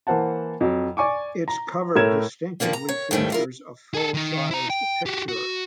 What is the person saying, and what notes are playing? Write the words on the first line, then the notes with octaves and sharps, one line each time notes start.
Its cover distinctively features a full-size picture.
E3 A#3 C5 F#5 A5
F2 F#3
D5 G#5 C#6 D6
A#5
A2 A3 A#4 C#5 G#6 E7
D3 D#3 F3 F#3 A#3 D4
A#5
C#5
D#2 G#2 D#3 G3 A3
E4 F4 A#4
G#4 A4
D#3 D#4
E4 A#5
G5
F#4 G4
F#4